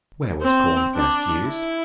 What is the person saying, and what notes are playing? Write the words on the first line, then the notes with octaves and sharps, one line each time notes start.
Where was Corn first used?
C4
D4
E4